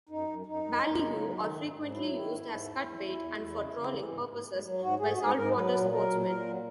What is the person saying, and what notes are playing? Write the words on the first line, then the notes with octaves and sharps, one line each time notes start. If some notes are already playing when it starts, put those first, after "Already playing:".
Ballyhoo are frequently used as cut bait and for trolling purposes by saltwater sportsmen.
F#2 D#4
F#2
F#2 D#4
F#2
F#2
C#3
F#3
D#3
G#2
G#2
F#3 E4
D#3
G#2
G#2
E2
E2
E2
E2
E2
C#3
C#3
E3
G#2
G#2
G#2
F#3
G#2 F#4
G#2 G#4
F#4
G#2 G#4
G#2 A#4
F#3 B4
A#2
F#3 A#4
A#2
A#2 A#4
F#3